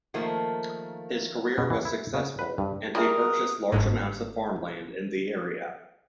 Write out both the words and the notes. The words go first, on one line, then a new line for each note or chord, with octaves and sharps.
His career was successful, and he purchased large amounts of farmland in the area.
D#3 F3 A3 A#3
B2
E3
E4
C#3
B4
G2
G3 D4 F4 G#4 A#4 E5 D#6
G1 G#2